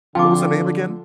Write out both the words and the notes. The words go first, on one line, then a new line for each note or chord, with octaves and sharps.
What was the name again?
D3 F3 C4 F4 G5 A5 D6